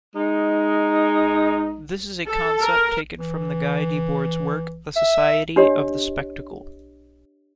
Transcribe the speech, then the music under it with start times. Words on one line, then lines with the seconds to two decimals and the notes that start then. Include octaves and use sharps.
This is a concept taken from Guy Debord's work "The Society of the Spectacle".
0.16 G#3 D#4
2.27 A4
2.63 A#4
3.18 E3
4.96 E5
5.56 D4 G4 C#5 D#5